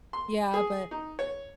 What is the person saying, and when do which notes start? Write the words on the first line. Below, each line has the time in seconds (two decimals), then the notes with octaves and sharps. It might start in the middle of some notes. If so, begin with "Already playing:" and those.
Yeah, but
0.13 C6
0.54 G#4
0.91 D#4
1.19 C#5